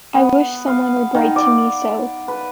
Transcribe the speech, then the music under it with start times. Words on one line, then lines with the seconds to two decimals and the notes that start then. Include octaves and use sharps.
I wish some one would write to me so!
0.15 B3
0.67 F5
0.96 F5
1.15 D#3
1.36 D5
2.28 B4